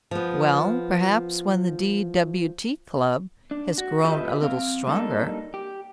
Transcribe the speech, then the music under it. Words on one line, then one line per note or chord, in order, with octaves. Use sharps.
Well, perhaps when the D.W.T. club has grown a little stronger.
F3 B3
D4
F#4
F4 G4 A4 B4 D#5 E5
C4 F5
G3 A#3 D4 D#4 A4
G4